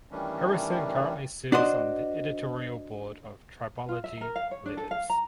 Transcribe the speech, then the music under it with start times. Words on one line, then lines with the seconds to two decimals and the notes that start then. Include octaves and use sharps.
Harrison currently serves on the editorial board of Tribology Letters.
0.12 D#3 E3 G3 A3 C#4 D4
1.52 D4 F#4 C5 D#5
3.89 F4
4.04 E5
4.21 A#4
4.36 F5
4.51 C#5
4.66 D4
4.77 A4
4.91 F5
5.10 A#5